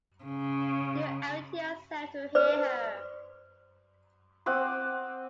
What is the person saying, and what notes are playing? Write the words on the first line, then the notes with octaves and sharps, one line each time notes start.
You owe it to yourself to hear her.
C#3
B4 C5 D5
C4 F#5 D6 D#6